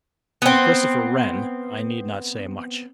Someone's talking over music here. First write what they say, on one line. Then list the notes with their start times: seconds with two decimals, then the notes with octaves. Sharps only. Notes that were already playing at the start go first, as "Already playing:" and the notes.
Of Christopher Wren I need not say much.
0.42 B3 C4